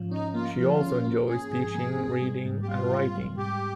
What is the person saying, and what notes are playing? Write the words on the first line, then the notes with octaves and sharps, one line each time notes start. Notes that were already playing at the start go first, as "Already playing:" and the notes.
She also enjoys teaching, reading and writing.
Already playing: G#2 F3 C#4
C#4 D#4
A#3 F4
F3 F4
C#4
A#3
C#4 G#4
G#2
A#3
C4
G3
G#2
G4
G3 F4
G3
G3
G#2 G4